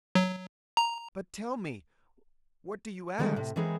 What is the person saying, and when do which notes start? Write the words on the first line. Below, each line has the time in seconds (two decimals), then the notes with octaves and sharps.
"But, tell me, what do you ask?"
0.15 F#3
0.77 A#5
3.18 D3 D#3 G3 G#3
3.36 A2 C3
3.56 E3 G#3 B3 C4 G#4 A#4